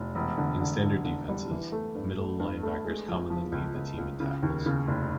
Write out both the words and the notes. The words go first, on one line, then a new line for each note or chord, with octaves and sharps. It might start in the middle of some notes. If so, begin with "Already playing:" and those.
In standard defenses, middle linebackers commonly lead the team in tackles.
Already playing: F1
E1
D3
D3
D3
D3
G3
E3
A3
G2
A3
G2
A3
G#3
F3
F3
C#2
C#2
C#2
C#3
D#2
C#3
F1